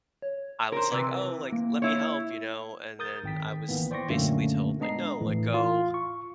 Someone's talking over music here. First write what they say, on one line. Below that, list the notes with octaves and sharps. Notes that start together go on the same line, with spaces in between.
I was like, "Oh," like, "let me help." You know? And then I was basically told, like, "No," like, "Go
C#5
A#4 C5
C3 E3 B4
A#3
E4 C#5
A#4 D#6 G6 A6
G#1 G5 B6
D#3 E3 A#3 B3
C5 D5 G5 C6 C#6 A#6
F#2 A#2 D3 A3 A#3 C#4
G#3 B3 D4 D#5 A#5 C7
A2 E3
F4
C#6